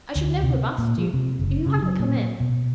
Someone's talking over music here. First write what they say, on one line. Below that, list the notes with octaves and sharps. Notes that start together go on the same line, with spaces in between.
'I should never have asked you, if you hadn't come in.
D2
C3
A#2
F3
C3
F#1
C#3
F#3
A#2
B2